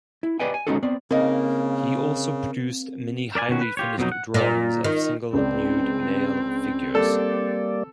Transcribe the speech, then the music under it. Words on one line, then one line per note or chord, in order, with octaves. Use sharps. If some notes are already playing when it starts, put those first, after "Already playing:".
He also produced many highly finished drawings of single nude male figures.
E4
G4 B4 D5 D#5 G5 G#5
G#5
G#3 C4 C#4 D#4 F#4 A4
B3 C4 D5
C#3 A#3 C4 D#4
A#4 D5 E5 G#5
B2 D#3 C#4 F#4
B4
F4 G4 C#5
F2 B2 F3 F#3 D#4
F#5
A#2
D#3
C#2 C4 D5
G3 A#3 A4 D5